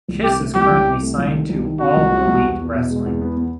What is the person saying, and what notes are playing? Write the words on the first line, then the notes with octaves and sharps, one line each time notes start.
Kiss is currently signed to All Elite Wrestling.
C2
C3 G4
A3
C2 G4
C2
C3
A3
C2
D#3
C2
D#3
C3 F#4
C2
C2
C2
E2
E2
B2
G#3
E2
B3
B3